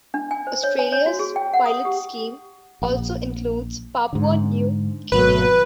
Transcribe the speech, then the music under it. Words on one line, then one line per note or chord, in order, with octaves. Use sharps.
Australia's pilot scheme also includes Papua New Guinea.
D4
G#5
C5
C#5
G#5
C#5
F#4
G#4
G5
F#5
D#6
G4
A#1
G#2 D3
G#1 B2 F#3 B4